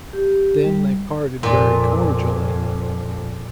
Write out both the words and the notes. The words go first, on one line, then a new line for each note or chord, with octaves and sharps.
Then they parted very cordially.
G4
G3
F2 A#2